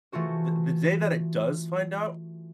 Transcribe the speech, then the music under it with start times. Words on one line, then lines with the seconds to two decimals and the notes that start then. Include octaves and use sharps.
The the day that it does find out,
0.12 E3 A3 F4 F#4 C5